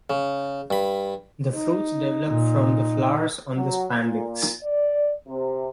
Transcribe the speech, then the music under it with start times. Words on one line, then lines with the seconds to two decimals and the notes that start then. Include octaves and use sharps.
The fruits develop from the flowers on the spadix.
0.10 C#3
0.70 G2 B5
1.53 D#4
2.29 A#2
3.55 F#3
3.99 A#2
4.63 D5
5.28 C3